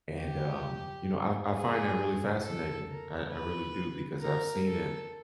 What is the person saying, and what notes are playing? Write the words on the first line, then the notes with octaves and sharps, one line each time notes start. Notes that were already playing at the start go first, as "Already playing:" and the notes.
And, um, you know, I I find that really fascinating, I I really do because I've seen it
G4
G#4
A4
A#4
B4
A#4
A4